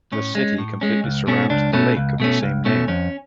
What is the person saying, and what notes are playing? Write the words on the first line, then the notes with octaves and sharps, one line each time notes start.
The city completely surrounds the lake of the same name.
A2 C#4
G#3 C#4
A2
G#3 C#4
C#2
B2 A3 C#4
C#2 D4
B2 A3 C#4
C#2
B2 A3 C#4
C#2
B2 A3 C#4
F2 C#4